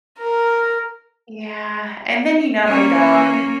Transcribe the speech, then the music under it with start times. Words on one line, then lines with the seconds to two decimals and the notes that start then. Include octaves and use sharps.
yeah, and then, you know, my dog,
0.19 A#4
2.65 A#3 C#4